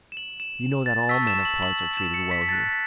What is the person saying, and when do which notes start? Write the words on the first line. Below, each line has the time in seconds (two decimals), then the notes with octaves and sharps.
You know that all men of parts are treated well here.
0.12 E7
0.17 F#7
0.40 E7
0.86 A6
1.09 A5 C#6 E6 B6
1.27 E7
1.45 F#7
1.63 F#7
1.79 F#7
1.97 E7
2.14 C#7
2.31 B6
2.42 B6
2.48 A5 F#6 A6
2.72 B6